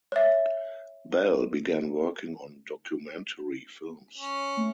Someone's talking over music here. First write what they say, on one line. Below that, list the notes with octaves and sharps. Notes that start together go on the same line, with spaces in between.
Belle began working on documentary films.
C#5 E5
C#4
A3